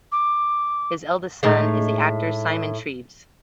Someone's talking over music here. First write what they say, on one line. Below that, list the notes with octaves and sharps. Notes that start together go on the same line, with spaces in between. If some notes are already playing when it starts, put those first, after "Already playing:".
His eldest son is the actor Simon Treves.
D6
A2 G#3 D#4